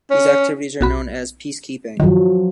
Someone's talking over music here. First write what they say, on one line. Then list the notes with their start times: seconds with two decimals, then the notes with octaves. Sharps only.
These activities are known as "peace keeping".
0.10 C#4
0.81 B1 F#4 B5
2.00 G2 D#3 F3 F#3